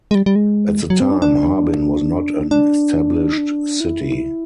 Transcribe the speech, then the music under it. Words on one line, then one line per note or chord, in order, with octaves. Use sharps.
At the time Harbin was not an established city.
G#3
G3
G3
G#3
F#3
C4
D4
D4
D4
D#4
D4
E4